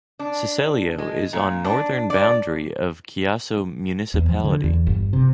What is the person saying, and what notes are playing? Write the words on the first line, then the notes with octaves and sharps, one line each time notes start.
Seseglio is on northern boundary of Chiasso municipality.
D4
G#3
A#2
D4
D5
E2
F3
D3
E2
G1
C3